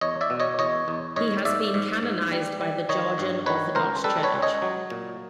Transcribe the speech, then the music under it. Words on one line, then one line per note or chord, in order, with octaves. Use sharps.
He has been canonized by the Georgian Orthodox Church.
E2 C#5 D#5
D5 E5
B2
C#5 D#5
E2 C#5 D#5
E2
G#2 C#5 D#5
G#2 D5 E5
G#2
G#2
G3
G3
D#3 C#5 D#5
G2
D#3 B4 C#5
C#2 A#4 C5
G3 A4 B4
B4 C#5
C#2
C#5 D#5
F#3
A#2